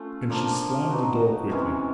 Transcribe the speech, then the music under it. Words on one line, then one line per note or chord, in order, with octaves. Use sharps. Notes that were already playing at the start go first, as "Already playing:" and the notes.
And she slammed the door quickly.
Already playing: A3 C#4 F4
F3 A#3 D4
F#3 B3 D#4
C3 E3 G#3 C#4